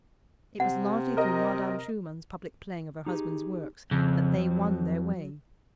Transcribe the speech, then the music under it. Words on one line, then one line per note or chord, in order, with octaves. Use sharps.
It was largely through Madame Schumann's public playing of her husband's works that they won their way.
C3 F#5
A#4 D#5
D#4 G4 G#4
F2 C#3 C4
F#3